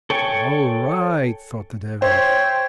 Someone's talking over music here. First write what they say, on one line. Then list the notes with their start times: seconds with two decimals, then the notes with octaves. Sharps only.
"All right," thought the Devil.
0.10 A4 C#5 G5 G#5
2.02 C5 C#5 E5 G5